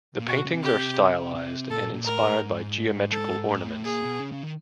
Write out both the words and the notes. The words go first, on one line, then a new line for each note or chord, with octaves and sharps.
The paintings are stylised and inspired by geometrical ornaments.
A#2
B2 F#4
C#3
C3
G4
C3
A#2 A4
A#2
A#2
A2 A#4
A2
G#2
G#2 A4
A2
G#2
A2
A#2 G#4
B2
C#3
C#3
D#3